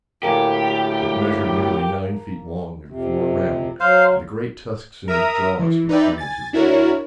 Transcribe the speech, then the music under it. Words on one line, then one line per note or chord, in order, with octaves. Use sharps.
It measured nearly nine feet long, and four round, and the great tusks in his jaws were three inches long.
D2 A2 A#3 G4 A4 G#5
F2 C3
F#3 C5 F5
A#4 E5 A#5 D#6
E3
D#4 B4 D5 E5 G5
G#5 A6
D4 E4 F#4 A#4 C#5